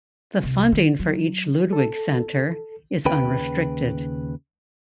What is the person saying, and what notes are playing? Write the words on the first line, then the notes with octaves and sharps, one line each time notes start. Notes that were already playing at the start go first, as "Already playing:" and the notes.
The funding for each Ludwig Center is unrestricted.
C2
D#3
F#3
A4
D#2 C#3 B4 G5